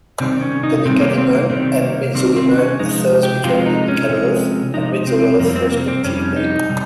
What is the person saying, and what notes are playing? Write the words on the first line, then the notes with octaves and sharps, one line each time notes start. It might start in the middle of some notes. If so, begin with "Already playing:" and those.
The Nycadaemon and Mezzodaemon thus became the Nycaloth and Mezzoloth respectively.
C3 D#3 G3 C4
C#4
D#4
C3 D#3 G3 C4
A#3
C4
A#3
C3 D#3 G3 C4
A#3
C3 D#3 G3 C4
C4
C#4
C3 F3 G#3 D#4
G4
C3 F3 G#3 F4
D#4
C#4
C3 F3 G#3
C3 F3 G#3 D#4
C4
F2 C3 G3 A#3
C4
A#3
C4
F2 C3 G3 C#4
D#4
C3 G3